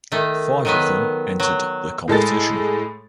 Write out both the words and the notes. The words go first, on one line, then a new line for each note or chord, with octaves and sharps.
Five of them entered the competition.
D#3 A3
D#3 F#3 B3
F#3
A2 G#3 A4 A6